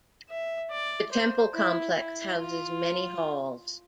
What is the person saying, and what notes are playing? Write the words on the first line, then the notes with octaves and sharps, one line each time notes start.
The temple complex houses many halls.
E5
D5
C5
E4
E4
F4